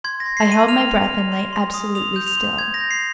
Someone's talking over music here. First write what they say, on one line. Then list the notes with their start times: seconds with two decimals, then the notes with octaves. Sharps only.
I held my breath and lay absolutely still.
0.04 C6 G#6
0.20 A#6
0.26 C6
0.37 C7
0.48 C6 D#7
0.69 F6 F7
0.89 C6
1.10 F6
1.32 C6
1.53 C6
1.74 D#6
1.95 D#6 F7
2.16 G6
2.27 F7
2.38 C6
2.59 G6 G#6
2.74 A#6
2.80 G6
2.91 C7